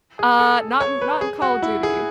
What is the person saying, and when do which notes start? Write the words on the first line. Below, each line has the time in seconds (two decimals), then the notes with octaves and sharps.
Uh, not in not in Call of Duty.
0.19 G#4
0.39 A4
0.80 C#5
1.01 B4
1.21 G#4
1.42 F#4
1.62 E4
1.83 G#4